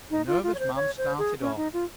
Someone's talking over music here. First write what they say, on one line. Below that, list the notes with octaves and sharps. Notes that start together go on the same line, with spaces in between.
The nervous man started off.
D#4
F4
F4
C#5
C5
C#5
C5
G#4
C#4
D#4
F4